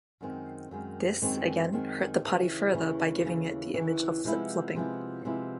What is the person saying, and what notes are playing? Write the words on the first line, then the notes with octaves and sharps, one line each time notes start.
This, again, hurt the party further by giving it the image of flip flopping.
F#2 D#3 G#3 C4
F#2 D#3 G#3 C4
F#2 D#3 G#3 C4
F#2 D#3 G#3 C4
D#2 C#3 E3
D#2 C#3 E3
D#2 C#3 E3
D#2 C#3 E3
C3 F3 G#3 B3 E4
C3 F3 G#3 B3 E4
C3 F3 G#3 B3 E4